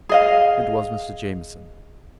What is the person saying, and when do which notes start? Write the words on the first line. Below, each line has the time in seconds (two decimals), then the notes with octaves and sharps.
It was Mr. Jamieson.
0.09 G#4 D#5 F5